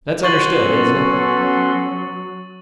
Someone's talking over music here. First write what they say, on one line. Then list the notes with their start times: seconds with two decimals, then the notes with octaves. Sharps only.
"That's understood, isn't it?"
0.23 F#4 C6 C#6 A6 F#7
0.59 F#3 B3 C#4 A4